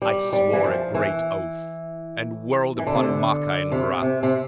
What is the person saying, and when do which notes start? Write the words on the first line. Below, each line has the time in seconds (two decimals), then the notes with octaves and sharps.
I swore a great oath and whirled upon Maka in wrath.
0.02 G3
0.33 G3
0.53 E3
0.64 F3
0.94 E3
2.79 E3
2.87 D3
2.95 C3
3.03 D3
3.72 C3
4.02 C3
4.23 C3